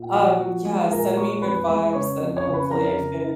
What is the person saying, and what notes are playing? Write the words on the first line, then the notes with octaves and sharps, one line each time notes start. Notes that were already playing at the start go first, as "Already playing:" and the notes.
um, yeah, send me good vibes that hopefully I fini
Already playing: A#2
F3 F#4 F#5
F3
G#3 G#4 G#5
A#2 A#4 A#5
G#3 C#5 C#6
F2 B4 B5
G#3 B4 B5
C#3 C#5 C#6
F2
C#5 C#6
C#3
B4 B5
F2 A#4 A#5
C#3